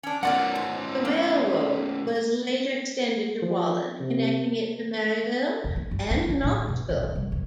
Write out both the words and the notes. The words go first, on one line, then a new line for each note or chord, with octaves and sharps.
The railroad was later extended to Walland, connecting it to Maryville and Knoxville.
C#4 D4
F#2 B2 A#4 D5 F#5
G#2
A#3
F3
C3
F1
B3
F#2
F4
D3
A2
B2
D#2
D#2
C2
F1